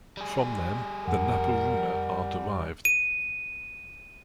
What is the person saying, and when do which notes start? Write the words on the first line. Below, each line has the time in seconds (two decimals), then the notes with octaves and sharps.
From them the Napo-runa are derived.
0.17 G3 G#4
1.07 F2 A#4 F#5
2.85 D#7